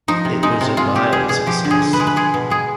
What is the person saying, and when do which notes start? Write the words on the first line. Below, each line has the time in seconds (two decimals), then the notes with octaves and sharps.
It was a mild success.
0.08 F3 D#4
0.25 C3
0.43 G#3 D#4
0.61 C3
0.77 G#3 F4
0.95 G#3 G4
1.12 B2 G#4
1.29 B2 G#4
1.47 F3 G4
1.65 D3
1.71 G#4
1.82 D3
1.93 B4
2.00 G#3
2.07 B4
2.16 G#3 G#4
2.34 B2
2.50 G#3 G#4